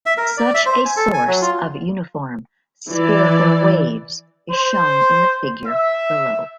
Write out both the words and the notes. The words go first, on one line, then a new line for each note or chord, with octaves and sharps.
Such a source of uniform spherical waves is shown in the figure below.
E5
A#4
D5
E5
C5
G#5
A4
G#5
F#3
F4
E3 D5
C5
E5